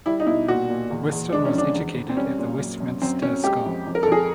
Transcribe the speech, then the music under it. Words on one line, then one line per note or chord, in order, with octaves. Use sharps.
Weston was educated at the Westminster School.
G3 E4
D#4
B2 E4
A#2 F#4
A#2
E2
E2
G#3 D4
C#4
F2 D4
E2
E2
C4
G3 C#4
A#2
F#2
F#2
F#2 C4
F#2 C#4
G#3 G4
F2
F2
A#4
A4
F2 G#4